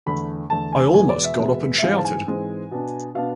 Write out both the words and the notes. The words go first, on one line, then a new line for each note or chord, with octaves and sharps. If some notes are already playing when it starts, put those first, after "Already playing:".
I almost got up and shouted.
E2 D3 A3 B5
E2 D3 A3 A5
G#5
E2 B2 G#3 B3 G#5
D5
E5
E2 B2 G#3 B3
E5
G#2 E3 G#3 C4 F5
A5
G#5
G#2 E3 G#3 C4
B2 B3 D4
B2 B3 D4 F5